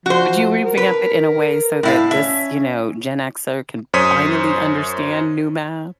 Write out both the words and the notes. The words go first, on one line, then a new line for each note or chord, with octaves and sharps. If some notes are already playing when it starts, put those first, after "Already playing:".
Would you revamp it in a way so that this, you know, Gen Xer can finally understand new math?
F3 F#4 C5
A#4
B4
A2 E4 F5
C#4 E5
F#2 C5 C#5 D#6 B6 D#7